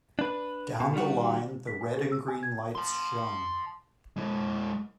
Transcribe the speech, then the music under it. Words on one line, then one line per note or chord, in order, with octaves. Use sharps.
Down the line the red and green lights shone.
D4 B4
B2
D#3 G3 F#4
B6
G#5
G#4
E6
G#5
G#6
A5 C6
G#3 E4